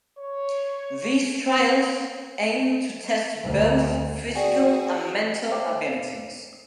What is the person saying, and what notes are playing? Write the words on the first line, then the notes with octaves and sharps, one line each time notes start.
These trials aim to test both physical and mental abilities.
C#5
D2
F#4 G#4 D5 G5 G#5
C5 C#5 E5 F5 G5 D6